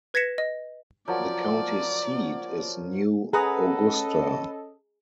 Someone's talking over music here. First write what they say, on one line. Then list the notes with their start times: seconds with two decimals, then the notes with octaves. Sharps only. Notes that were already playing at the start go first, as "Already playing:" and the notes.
The county seat is New Augusta.
0.14 B4 G#6 A#6 B6 C#7 E7
0.38 D#5
1.08 F3 F#3 A#4 D5
3.33 C#4 G#4 A4 B4 D#5 F#5 A#5 D#6